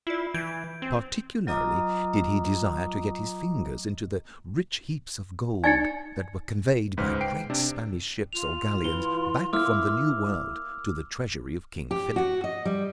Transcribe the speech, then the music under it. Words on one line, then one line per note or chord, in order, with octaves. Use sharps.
Particularly did he desire to get his fingers into the rich heaps of gold that were conveyed by great Spanish ships or galleons back from the New World to the treasury of King Philip.
E4 F4 D5
E3 G6 G#6 D7
C4
F#3 F4 D#5 A#5 D6 D#6
D#4 D5 G#5 G#6 A6 C#7
C#2 G#2 B4 C5 F6
G5 C7 D7
C3 D4
F4 F7
E3 G7
A#3 E4 D6 E6 F6
G4
F#4
D#5
G3